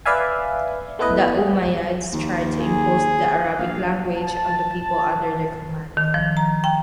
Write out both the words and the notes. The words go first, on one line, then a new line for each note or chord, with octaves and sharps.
The Umayyads tried to impose the Arabic language on the people under their command.
B4 D5 E5 F5 G#5
A3 B3 E4 B4 D#5
D#2
G#4
A#1 F5
A5
D#3
F3
A#5
G5